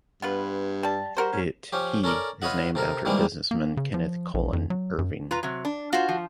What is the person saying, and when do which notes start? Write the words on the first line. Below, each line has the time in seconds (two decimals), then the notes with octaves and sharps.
It/He is named after businessman Kenneth Colin Irving.
0.22 G2 B3 F4 B4
0.83 G3 A5
1.17 G3 F#4 A#4 C5
1.32 C#4
1.72 F3 C#4 G4
2.04 C#4 A4 A#4 D5
2.42 F4 B4 C#5 D#5 E5 F#5
2.75 C3 A4 A#4
3.05 D#3 E3 G3 G#3 A#3 C4
3.51 A#3
3.77 C#3
3.94 F3
4.34 A#1
4.53 F2
4.70 F#3
4.99 F#2
5.31 F4 B4 A#5
5.43 C3 F#3
5.65 D4
5.93 F4 F#4 C5
6.09 F3